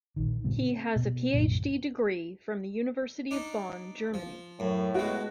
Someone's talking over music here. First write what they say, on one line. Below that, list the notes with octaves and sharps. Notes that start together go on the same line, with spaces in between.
He has a Ph.D. degree from the University of Bonn, Germany.
A#1 D#3
A2 C#3 G3 B3
C4
B2
C2 F#2 A#2 D3
D4 D#4
F3
F#2 A2
B2 G#3 F#4